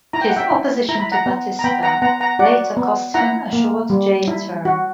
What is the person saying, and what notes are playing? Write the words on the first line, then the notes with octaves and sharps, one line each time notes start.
His opposition to Batista later cost him a short jail term.
E4 A#5
G5
F#5
E5 G5
E4
E4 A#5
B5
F#5 A#5
B3
A#5
B3 G5 B5
F#5 A#5
B3 F#5 A#5
F#5 A#5
F#4 D5 F#5
B3
E4 F#5 A#5
A#3
G3
E4
F#4